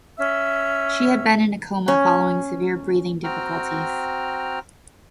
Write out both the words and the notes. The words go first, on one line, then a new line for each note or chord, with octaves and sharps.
She had been in a coma following severe breathing difficulties.
C#4 E5 E6
C#4
C4 F#4 G5 A#5 F6